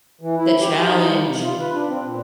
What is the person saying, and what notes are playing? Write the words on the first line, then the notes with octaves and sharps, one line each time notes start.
The challenge.
E3
E4
G4
F#4
D#4
G3
C3
F4
B4
D4
C4
A#2